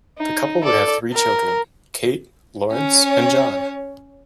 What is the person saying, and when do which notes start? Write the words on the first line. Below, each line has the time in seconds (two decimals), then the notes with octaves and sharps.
The couple would have three children: Kate, Laurence, and John.
0.18 D#4
0.64 A4 D5
1.14 A#4
2.72 C#4 C#5